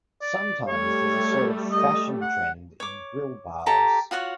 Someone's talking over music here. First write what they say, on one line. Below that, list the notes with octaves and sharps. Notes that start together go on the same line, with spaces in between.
Sometimes there is a sort of fashion trend in grille bars.
D5
G3 A3 C#5
D#5
F#5
C#5 D6
G4 A4 A#5
F4 F#4 C#5 F#5